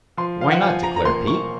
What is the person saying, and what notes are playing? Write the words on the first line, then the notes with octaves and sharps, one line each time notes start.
"Why not?" declared Pete.
F3 C6
F5
F#5
F3 G#5
A#5
A#5
A#3 C6
C#6